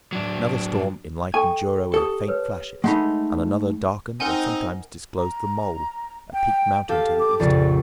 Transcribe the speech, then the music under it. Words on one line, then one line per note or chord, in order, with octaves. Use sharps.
Another storm enlightened Jura with faint flashes; and another darkened and sometimes disclosed the Mole, a peaked mountain to the east of the lake.
F#3 D4
A4 G5 G#5 C#6
G4 A4 D#6
A#4 B4 C#5
G#3 A3 D#4 F#5 B5
C4 D#4 A#4 F#5 G#5
A#5
G5
G4 A4 F5
D6
A#1 F2 C#3 D5